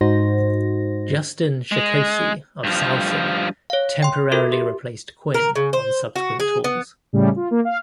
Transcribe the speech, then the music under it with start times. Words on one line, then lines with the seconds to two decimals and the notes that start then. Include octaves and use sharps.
Justin Shekoski of Saosin temporarily replaced Quinn on subsequent tours.
0.01 G#2 D#4 F#4 C5 A#6
1.72 G#3
2.64 G2 F3
3.70 C#5 F5
4.02 G5 C6
4.32 F4 F#4 A4 A#4 E5
4.52 G4
5.34 A#4
5.56 C#3
5.73 C5
6.16 F#4
6.40 G#4
6.64 B3
7.13 A2 C#3 G3
7.36 F4
7.51 A#3
7.65 F5